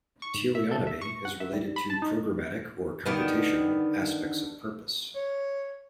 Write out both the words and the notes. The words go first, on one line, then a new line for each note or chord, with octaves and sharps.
Teleonomy is related to programmatic or computational aspects of purpose.
C#6
G#2
E5
A4
E5
C#6
F#5
E5
G3
B5
A5
D#4
D3 D#3 B3
C#5